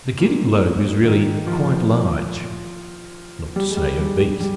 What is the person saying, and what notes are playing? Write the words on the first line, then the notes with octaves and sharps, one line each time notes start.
The Giddy Globe is really quite large, not to say obese.
A#2
D#3
F3
G3
G#3
G3
G3
G3
G3